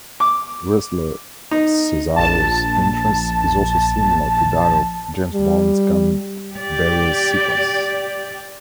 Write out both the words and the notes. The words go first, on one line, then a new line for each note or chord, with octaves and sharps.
Wrestler "Cesaro"'s entrance is also similar to that of James Bond gun barrel sequence.
D6
D#4
A#1 A5
G3
G4 D5